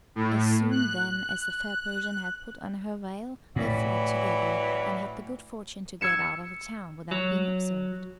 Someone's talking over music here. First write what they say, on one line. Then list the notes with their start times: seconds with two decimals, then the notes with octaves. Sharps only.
As soon, then, as the fair Persian had put on her veil they fled together, and had the good fortune to get out of the town without being observed.
0.15 A2
0.71 F#6
3.56 A2 E3 F#3 G3
6.01 E6 G#6 C#7 E7
7.11 F#3